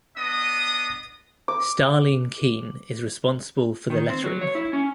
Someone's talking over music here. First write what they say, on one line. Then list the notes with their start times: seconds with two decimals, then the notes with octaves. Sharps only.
Starling Keene is responsible for the lettering.
0.17 B3 D4 D#5 D#6
1.48 D6
3.90 D#3
4.09 C4
4.24 F#3
4.41 C#5
4.55 E4
4.73 C#4